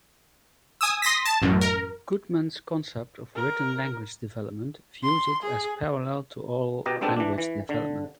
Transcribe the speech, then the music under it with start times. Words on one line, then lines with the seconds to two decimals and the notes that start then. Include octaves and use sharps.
Goodman's concept of written language development views it as parallel to oral language development.
0.81 G#5 D#6 E6
1.02 C6 D#6 A#6 B6
1.25 A5
1.42 A1 F#2
1.61 A#4
3.36 A#4
5.03 C6
5.42 G#4
6.86 B2 G4 D#5 A#5
7.01 G#3 B3 C4 D4 G4 A4
7.16 E3 D4
7.38 E3
7.69 D3